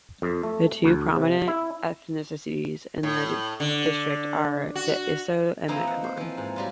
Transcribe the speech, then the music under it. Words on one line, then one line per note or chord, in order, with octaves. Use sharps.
The two predominant ethnicities in the district are the Iteso and the Kumam.
F2
A3
D2
C3
E4
A2
D3
F#4
E3 F3 A#3 C4 D#4 E4
D#5 F#5
C5
E3 F3
G#2
F#3 G3 F4